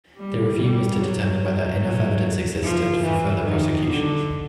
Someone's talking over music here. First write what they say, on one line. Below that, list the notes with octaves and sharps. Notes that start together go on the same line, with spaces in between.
The review was to determine whether enough evidence existed for further prosecutions.
G3
G3
F#3
F3
E3
D#3
D3